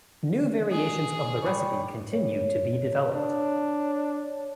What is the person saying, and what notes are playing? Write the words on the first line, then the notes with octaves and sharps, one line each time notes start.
New variations of the recipe continue to be developed.
G#4
G3 C#5
C#5
D4